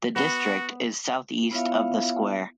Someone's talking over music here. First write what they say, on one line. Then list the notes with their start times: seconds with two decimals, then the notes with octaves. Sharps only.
The district is southeast of the square.
0.16 B3 F#4
1.51 B3 E4 F4 C#5 E5 F5